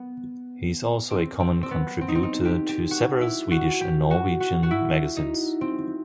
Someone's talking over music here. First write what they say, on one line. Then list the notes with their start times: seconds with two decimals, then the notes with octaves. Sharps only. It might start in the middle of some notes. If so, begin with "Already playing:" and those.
He is also a common contributor to several Swedish and Norwegian magazines.
Already playing: B3
1.11 C4
1.40 C4
1.63 C4
1.71 B3
2.01 C4
2.08 D#4
2.15 C4
2.23 D#4
2.45 G4
2.69 G4
2.91 F#4
3.21 E4
3.51 F#4
3.81 G4
4.11 F#4
4.40 F#4
4.63 F#4
4.71 E4
5.17 D#4
5.61 C4